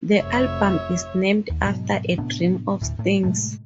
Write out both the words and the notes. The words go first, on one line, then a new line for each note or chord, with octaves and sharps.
The album is named after a dream of Sting's.
F1 C#5 E5
D#2
G#2 B2 F#3
A2 C3 B3 D4
D#1 D2 A2
A2
A2 C3 G#3 A3